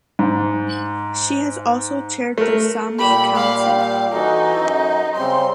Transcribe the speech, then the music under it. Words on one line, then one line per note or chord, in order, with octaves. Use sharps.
She has also chaired the Saami Council.
G#2
A3 A#4
A#2 G3 G4 B5
F5
F5
E3 D#4 F#4 A4
F#2
C#3 G3 C4 C6